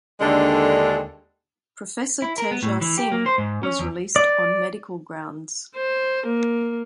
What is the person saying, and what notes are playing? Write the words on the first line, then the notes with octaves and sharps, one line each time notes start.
Professor Teja Singh was released on medical grounds.
D#2 D3 G#3 D4 A4
E4
A#4
B3
A2
E3
G4
A#3
C5
G#2
C#4
E2
D5
C5
A#3